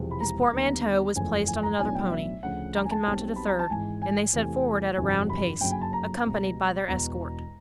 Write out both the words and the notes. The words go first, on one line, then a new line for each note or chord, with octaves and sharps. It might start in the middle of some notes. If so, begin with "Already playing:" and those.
His portmanteau was placed on another pony, Duncan mounted a third, and they set forward at a round pace, accompanied by their escort.
Already playing: E1 E2 C3 F3 G#3
B5
A#5
D#2 D3 G3 B3
F#1 E2 C#3 F3 A3 G#5
G#5
A#5
B1 A2 F#3 B3 D4 G#5
G5
E5
D2 C#3 F3 F#5
A#5
G#5
A5
B1 B2 G3 C4
B5
A#5
A5
G#1 G#2 E3 G#3 G#5
G#5
E2 C3 E3 A3
G1 F2 C3 D#3 F#3 G#5
B5
G1 F#2 C#3 F#3 A#3 G5
G#5
A5
A#5
C#2 B2 G3
E1 E2 B2 A#5